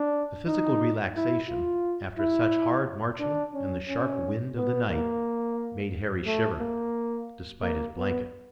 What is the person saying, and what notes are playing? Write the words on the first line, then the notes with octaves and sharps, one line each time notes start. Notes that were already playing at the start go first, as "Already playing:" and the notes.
The physical relaxation after such hard marching and the sharp wind of the night made Harry shiver, despite his blanket.
Already playing: D4
D#4
E4
F4
E4
D4
C#4
C#4
B3
A#3
A3
A#3
A#3
B3